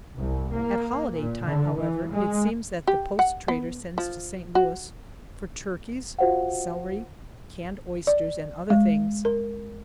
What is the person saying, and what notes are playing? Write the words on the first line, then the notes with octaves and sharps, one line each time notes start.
At holiday time, however, it seems that the post trader sends to St. Louis for turkeys, celery, canned oysters, and other things.
C2
A#3
A#2
D3
E3
G#3
G4
F#5
B3
F3
F#4
F4 F#4 C5 F5 F#5
D5
G#3
A#4